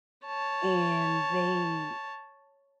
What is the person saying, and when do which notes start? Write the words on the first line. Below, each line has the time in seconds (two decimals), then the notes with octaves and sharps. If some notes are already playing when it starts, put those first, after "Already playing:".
and they
0.25 C#5 A5